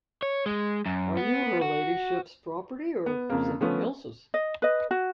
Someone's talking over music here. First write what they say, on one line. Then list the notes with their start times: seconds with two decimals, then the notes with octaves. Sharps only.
Are you her ladyship's property, or somebody else's?
0.22 C#5
0.46 G#3
0.86 F#2
1.17 B3
1.62 F#4
3.06 B3
3.30 F2 C#3 A#3
3.61 F3 A3 B3 C#4
4.34 D#5
4.62 B4 D#5
4.91 F#4